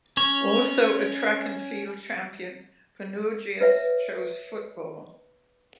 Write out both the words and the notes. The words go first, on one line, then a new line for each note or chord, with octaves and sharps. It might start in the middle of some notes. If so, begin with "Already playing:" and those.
Also a track and field champion, Panourgias chose football.
C#4 C#5
B4 C#5 E5 F#5